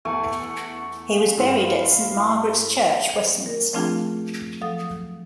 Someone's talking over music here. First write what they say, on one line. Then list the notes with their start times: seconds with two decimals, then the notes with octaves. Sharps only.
He was buried at Saint Margaret's Church, Westminster.
0.05 E2 A3 F#5 G#5 D7
1.12 F5
1.37 G2 E3 F5 C6
3.46 A#4
3.73 F3 A3 C4 D4 F4 G#4
4.62 F3 F#3 A4 F5 D#6